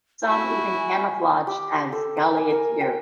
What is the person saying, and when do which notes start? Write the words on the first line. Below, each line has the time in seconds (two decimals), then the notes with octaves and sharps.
Some even camouflaged as "Gauleiter".
0.24 E4 F#4 G#5
1.47 G4
1.92 A4
2.17 A#5
2.37 G#5
2.50 A#4
2.81 G5